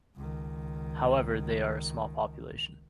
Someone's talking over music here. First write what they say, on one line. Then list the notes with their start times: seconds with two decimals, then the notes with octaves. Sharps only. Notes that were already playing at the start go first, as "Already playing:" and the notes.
However, they are a small population.
0.16 C#2 D#3